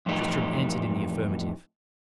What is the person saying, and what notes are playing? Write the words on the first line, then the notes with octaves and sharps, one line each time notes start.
Tristram answered in the affirmative.
F2 A2 E3 D#4 G4